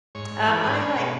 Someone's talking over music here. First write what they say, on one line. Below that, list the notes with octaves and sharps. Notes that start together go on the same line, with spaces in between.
Um, I like
G#2 C#5
G#2
E3 B4
G#2 G#4
A#4
C#4 B4
B2